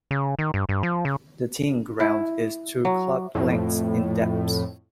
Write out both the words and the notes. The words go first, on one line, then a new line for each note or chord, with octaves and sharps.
The teeing ground is two club-lengths in depth.
C#3
D#3
G2
G2
F3
C#3
E4
F#3
F2 A2